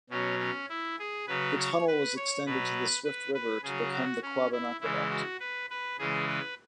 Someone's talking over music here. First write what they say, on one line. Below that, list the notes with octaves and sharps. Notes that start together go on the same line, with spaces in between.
The tunnel was extended to the Swift River to become the Quabbin Aqueduct.
B2 F#3 C#4
C#4
E4
G#4
C#3 F#3 B4
C#5
B4
C#5
B2 F#3 B4
B4
B4
C#3 F#3 G#4
F#4
C#4
E4
C#3 E3 G#3 E4
F#4
B4
B4
C#3 E3 G#3 G#4
B4